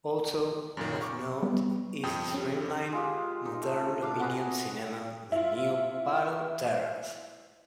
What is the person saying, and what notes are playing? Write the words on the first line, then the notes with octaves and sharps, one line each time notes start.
Also of note is the Streamline Moderne Dominion Cinema on Newbattle Terrace.
F#2 A#2 D#3
C#6 D6
G3 B3
F2 G5 D#6
C#4 G4
G#3 F4 G4
D#4
A3
D4 F5
F#4 B4 D#5 G#5
E4 F4